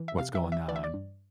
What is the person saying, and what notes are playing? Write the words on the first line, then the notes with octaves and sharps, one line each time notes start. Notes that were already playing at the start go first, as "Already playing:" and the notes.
what's going on
Already playing: E3
E5
C3 F5
E5
E3
E5
E3 D5
E5
D5
G2